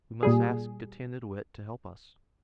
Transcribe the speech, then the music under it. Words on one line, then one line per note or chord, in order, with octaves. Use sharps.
"We must ask Getanittowit to help us."
A#2 G3 G#4